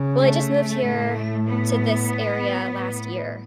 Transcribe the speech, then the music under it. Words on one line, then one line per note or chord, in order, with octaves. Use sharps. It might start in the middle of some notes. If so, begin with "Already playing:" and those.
Well, I just moved here to this area last year,
Already playing: C#3
A3
A2
B3
A2